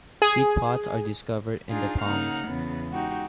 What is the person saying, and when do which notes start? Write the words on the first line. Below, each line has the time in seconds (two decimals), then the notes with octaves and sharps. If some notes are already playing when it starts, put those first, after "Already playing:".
Seed pods are discovered in the palm.
0.22 G#4
1.68 D4 D#4 F4 G#4
2.01 C#3 A#3 D#4 F#5 F6
2.47 E2 C#3 B3
2.91 G#3 D#4 F#4 G4